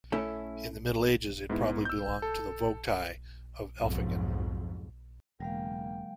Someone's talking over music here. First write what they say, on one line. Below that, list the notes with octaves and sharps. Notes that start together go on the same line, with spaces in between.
In the Middle Ages it probably belonged to the vogtei of Elfingen.
A3 C#4 E4 A4
G#2 B3 E4
E6 G6
A4
B1 F2 G#2
E1 C#3 F#3 G#3 A#3 F5 G5